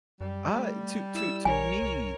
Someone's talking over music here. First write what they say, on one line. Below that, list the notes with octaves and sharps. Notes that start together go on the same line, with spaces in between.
Uh, i to to to me
F#2 G3
A3
E4 E6
A#1 A#4 C#5 G#5
C2